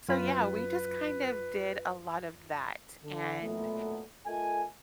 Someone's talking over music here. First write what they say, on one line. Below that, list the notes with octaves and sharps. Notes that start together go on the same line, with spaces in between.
So, yeah, we just, kind of, did a lot of that, and,
F#2 F4 B4 B5
D3
B1 A#2 A3 B3
A3 F4 A4 A#4 D#5 G#5